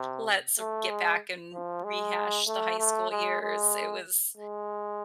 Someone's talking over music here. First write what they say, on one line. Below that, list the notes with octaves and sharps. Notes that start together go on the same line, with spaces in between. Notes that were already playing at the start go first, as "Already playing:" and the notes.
"Let's get back and rehash the high school years." It was
Already playing: C3
A3
G#3
F3
G#3
A3
A3
G#3
G#3
G#3